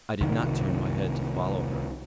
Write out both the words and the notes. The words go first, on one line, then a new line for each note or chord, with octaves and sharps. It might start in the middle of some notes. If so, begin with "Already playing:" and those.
I did not turn my head to follow her.
C2 D#3